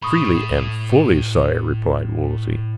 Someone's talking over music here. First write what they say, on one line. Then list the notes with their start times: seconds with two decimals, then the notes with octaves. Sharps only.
"Freely and fully, sire," replied Wolsey.
0.02 A2 A4 B5 C#6 D#6